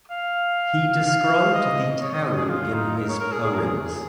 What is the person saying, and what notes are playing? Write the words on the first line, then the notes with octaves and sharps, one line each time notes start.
He described the town in his poems.
F5
F5
D#5
C#5
D#5
D#5
G#4
F4
D#4
A#4
C#5
A#4
G#4
G#4
A#4
G#4